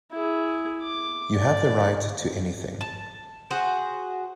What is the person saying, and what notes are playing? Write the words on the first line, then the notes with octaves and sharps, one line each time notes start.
You have the right to anything.
E4 G#4
D6
D5
A5
F#4 G#4 C5 F#5